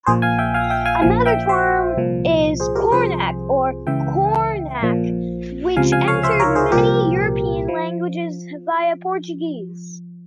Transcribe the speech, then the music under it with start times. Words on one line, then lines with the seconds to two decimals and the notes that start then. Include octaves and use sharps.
Another term is "cornac" or "kornak", which entered many European languages via Portuguese.
0.06 A#1 A#2 F3 G#4 C5
0.22 F5 G#5
0.38 E5 G5
0.54 F5 G#5
0.70 E5 G5
0.86 F5 G#5
1.02 A#1 A#2 F3 F5 G#5
1.26 E5 G5
1.49 C5 E5
1.97 C2 A#2 F3
2.60 G#4 C5
2.75 G4 A#4
2.92 C2 C3 F3 G#4 C5
3.87 C#2 C#3 E3 E5 G5
4.81 A#1 A#2 F3
5.76 C#2 C3 F3 F5 G#5
5.92 F5 G#5
6.08 C#5 F5
6.23 C5 E5
6.40 A#4 C#5
6.55 G#4 C5
6.71 C2 A#2 F3 G4 A#4
7.68 F3